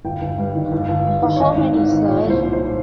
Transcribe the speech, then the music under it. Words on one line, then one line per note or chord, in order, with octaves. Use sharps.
For how many, sir?
G1 G5
G1
G2
D#3
G1
G1
G2
D#3
C#5
G#1 D#5
G#1
G#2
D#3
A#2 C#5
C2 C5
A#2
C5